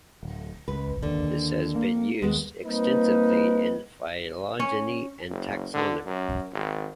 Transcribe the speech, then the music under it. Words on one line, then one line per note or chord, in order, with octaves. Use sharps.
This has been used extensively in phylogeny and taxonomy.
D1
C#2 B4
D#2 D3
A#3
D#2 G#3 B3
G3 A#3 C4 D#4 B4
C#4
F#1
D3
F#2
G#1